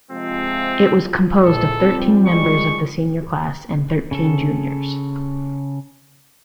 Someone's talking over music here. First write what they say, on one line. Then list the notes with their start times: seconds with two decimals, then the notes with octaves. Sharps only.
It was composed of thirteen members of the senior class and thirteen juniors.
0.11 C3 F3 G#3 C4
0.97 F3
1.45 A#1 G#2 E3 A4
1.80 F3 G3 C4
2.27 G#3 C#6
4.11 C#3 A4